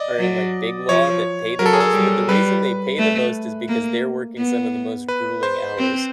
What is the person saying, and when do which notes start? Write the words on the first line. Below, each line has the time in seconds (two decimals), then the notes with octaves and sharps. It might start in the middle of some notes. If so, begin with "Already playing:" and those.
are in, like, big law that pay the most, but the reason they pay the most is because they're working some of the most grueling hours.
Already playing: D5 D#5
0.18 F#3
0.89 F3 C#5
1.59 F#3 A#4
1.66 A4
1.73 G#4
1.80 A4
1.93 G3
2.29 G3 B4
2.99 A3
3.68 A#3
4.38 B3
5.08 B4
5.43 C5
5.78 C4